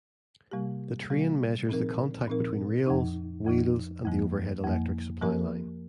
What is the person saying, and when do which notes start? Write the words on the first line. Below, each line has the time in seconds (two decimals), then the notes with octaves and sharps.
The train measures the contact between rails, wheels and the overhead electric supply line.
0.51 C3 G3 A#3 G4
1.10 C3 G3 A#3 G4
1.69 A#2 F3 C4 D#4 A#4
2.28 A#2 F3 C4 D#4 A#4
2.87 F2 F3 D#4
3.46 F2 F3 D#4
4.05 F2 F3 A#3
4.63 F2 F3 A#3
5.21 F3 A#3 G4 A#4